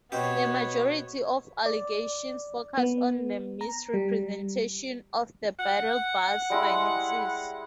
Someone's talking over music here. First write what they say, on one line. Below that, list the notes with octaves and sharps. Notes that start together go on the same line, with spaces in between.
The majority of alligations focus on the mis-representation of the "battle-bus" finances.
B2 B3 C4 G4 C#5
D5
B3
A#5
G3
F#5
G3 G#3 E4